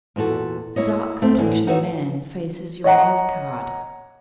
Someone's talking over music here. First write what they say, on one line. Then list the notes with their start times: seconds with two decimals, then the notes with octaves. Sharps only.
A dark complexioned man faces your life-card.
0.16 E2 A#2 F#4 A4
0.76 A#3 E4 C#5 D#5
1.22 A3 C4
1.38 A2 D3 E3
1.67 D#4 F#4 B4 C#5 E5
2.84 C#5 D#5 F#5 A#5